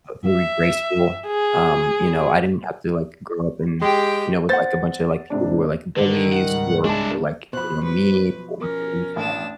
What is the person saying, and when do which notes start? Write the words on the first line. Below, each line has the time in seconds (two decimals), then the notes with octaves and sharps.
uh, very graceful, um, you know, I didn't have to, like, grow up in you know, with, like, a bunch of, like, people who were, like, bullies or who were, like, you know, mean or any of that,
0.27 E5
1.27 G#4
3.81 G#3 G4 G5
4.49 C5 F#5 A6
5.30 G#2 C3 D4
5.97 D3 D#3
6.33 C#2 G#2 G3 F#5
6.85 G#3 D4 E4 A5
7.53 B2 F3 C5 B5 F#6
7.84 B4
8.60 C#4 A#4
9.16 A1 D4 E7